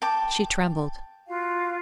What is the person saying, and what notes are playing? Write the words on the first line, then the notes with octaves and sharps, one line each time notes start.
She trembled.
G5 A5 D6
F4 F#4 F5